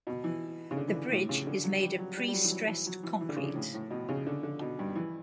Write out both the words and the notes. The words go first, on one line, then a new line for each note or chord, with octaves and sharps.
The bridge is made of prestressed concrete.
B2
E3
C#3
D3
E3
D3
A2
C#3
D3
F#3
G3
F#3
G3
G3
F#3
E3
F#3
E3
F#3
E3
E3
D3
C#3
D3
A2
A2
B2
C#3
D3
D3
B2
G2
E3